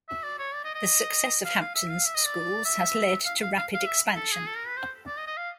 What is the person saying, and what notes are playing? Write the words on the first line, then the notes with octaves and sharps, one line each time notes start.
The success of Hampton's schools has led to rapid expansion.
E5
D5
C#5
D5
D#5
D#5
F5
F5
E5
F5
E5
D#5
D5
E5
F5
F5
F5
F5
E5
A4
G#4
A4
A#4
B4
C5
D5
D#5
D#5
F5